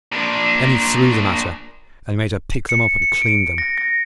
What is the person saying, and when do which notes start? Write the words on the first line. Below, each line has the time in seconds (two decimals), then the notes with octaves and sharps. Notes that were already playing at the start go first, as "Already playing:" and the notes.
Then he threw them at her, and made her pick them up and clean them.
0.12 A#2 D4
2.69 C#7
3.02 C#7
3.22 D7
3.58 A#6
3.78 A#6